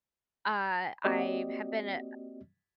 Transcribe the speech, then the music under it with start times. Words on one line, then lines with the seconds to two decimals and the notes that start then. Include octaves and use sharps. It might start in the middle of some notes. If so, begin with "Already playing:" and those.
Uh, I've have been a a
1.04 A#3 C4 F#4 G4 D5 D#5